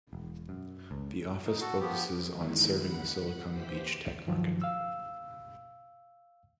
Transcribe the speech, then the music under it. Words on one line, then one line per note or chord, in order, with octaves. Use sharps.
The office focuses on serving the Silicon Beach tech market.
E1
F#2
C#2
D#4
F#4 A4
F3 B3 G4
D#3 G#3 D#4 E4
F#5 B5
D#2 E3 G4 C5 B6
G2 D#3 F3 F#3
F5 E6